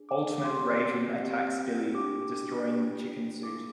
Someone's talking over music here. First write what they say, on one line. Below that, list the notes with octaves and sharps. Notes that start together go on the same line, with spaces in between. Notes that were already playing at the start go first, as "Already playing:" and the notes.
Ultimate Raven attacks Billy, destroying the Chicken Suit.
Already playing: D4 G#4
D6
D6
C4 G4 C6
C4 G4
D4 G4 D6
D4 G4
A#3 F4 G#4 D6